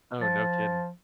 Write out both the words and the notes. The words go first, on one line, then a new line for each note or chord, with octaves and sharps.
Oh, no kidding.
F3 A6